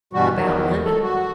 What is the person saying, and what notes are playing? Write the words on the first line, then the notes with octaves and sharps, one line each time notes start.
"About money."
G2 B2 E3 G3 F#4
E2 D#3
A4
F#4